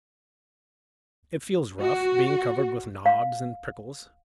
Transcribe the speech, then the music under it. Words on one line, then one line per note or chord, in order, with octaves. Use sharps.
It feels rough, being covered with knobs and prickles.
F#4
F5